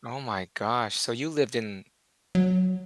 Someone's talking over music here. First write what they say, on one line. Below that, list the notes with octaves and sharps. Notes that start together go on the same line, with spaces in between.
Oh my gosh. So you lived in m
F#3